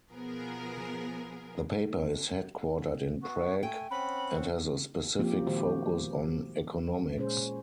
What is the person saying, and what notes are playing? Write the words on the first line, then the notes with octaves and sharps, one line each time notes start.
The paper is headquartered in Prague and has a specific focus on economics.
B2 F3 B3 G#4 A#4
B3 F#4
A3 G5 G#5
C4 C#4 F#5 B5
F3 A#3 C4 C#4 F4 G4
A#2 D#3 G#3 F#4 G4 C5
A#2 G#3 C#4 G#4 C5